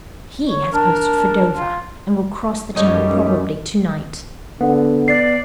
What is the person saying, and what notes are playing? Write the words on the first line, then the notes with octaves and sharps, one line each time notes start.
HE has posted for Dover, and will cross the Channel probably to-night.
C#5
D4 A#4
F4
F#2 G3 A3 D#4 C#5
D3 B3 F#5
D5 A6 C7